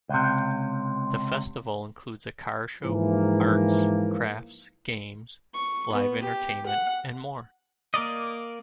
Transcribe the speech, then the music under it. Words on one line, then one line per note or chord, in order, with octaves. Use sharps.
The festival includes a car show, arts, crafts, games, live entertainment and more.
C#2 C3
G#2 E3 F3 A#3
C#6
B3
G4
F#5
A#3 A#4 D5 D#5